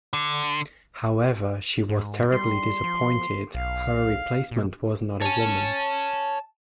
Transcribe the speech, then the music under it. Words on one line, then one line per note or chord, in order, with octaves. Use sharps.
However, she was terribly disappointed her replacement was not a woman.
D3
G#2
G3 C6
F3
B1 F5
A#2
C#5 G#5 A5